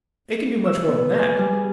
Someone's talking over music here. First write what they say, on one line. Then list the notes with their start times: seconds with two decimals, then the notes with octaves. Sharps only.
It can do much more than that.
0.65 E6
0.88 B3
1.19 G#5
1.39 G3
1.53 G#4